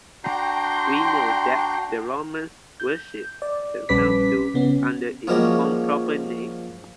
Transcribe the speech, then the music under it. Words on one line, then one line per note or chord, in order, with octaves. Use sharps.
We know that the Romans worshipped the mildew under its own proper name.
D4 F#4 G5 A#5 C6
G6
D5
A#1 G3 C#4 B4 D6 B6
C#3 B3 C#4
F3 G3 G#3 A#3 C#4 F#4